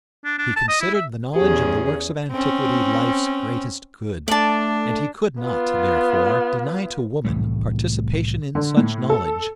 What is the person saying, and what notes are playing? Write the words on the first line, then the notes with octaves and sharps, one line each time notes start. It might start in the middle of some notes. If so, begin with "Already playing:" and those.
He considered the knowledge of the works of antiquity life's greatest good, and he could not, therefore, deny to woman participation in such knowledge.
D4
D4
A5
D#5
E4
E5
E2 C#4 G4 G#4
C4 C#4
A3 D4 D5 A5
B3 F4
C2 A2 E3 A3
D3
A2
A4